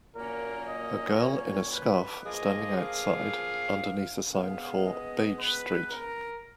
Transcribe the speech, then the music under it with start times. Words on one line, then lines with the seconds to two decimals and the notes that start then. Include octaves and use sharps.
A girl in a scarf standing outside underneath a sign for Bage street.
0.15 A#2 F#3 A#3 C#4 A#4
0.68 D#5
1.20 C#5
1.72 B4
2.24 F3 A#3 F4 G#4 D#5
2.77 F5
4.34 B2 G#3 B3 F5
4.86 D#5
5.39 B4
5.91 A#4